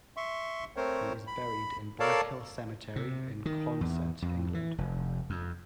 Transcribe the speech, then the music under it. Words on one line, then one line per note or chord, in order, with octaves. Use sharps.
He is buried in Blackhill cemetery in Consett, England.
E5 C6 C#6
A3 C4 A#4 C5 C#5
B5
A4 A#4 C#5 D5 F5 A5
C3
D#3
E2
F2
E3
F1
F2